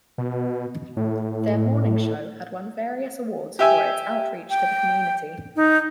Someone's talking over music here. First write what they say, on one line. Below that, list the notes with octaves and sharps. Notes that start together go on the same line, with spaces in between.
Their morning show had won various awards for its outreach to the community.
B2
A2
G4 E5 G#5
G5
D#4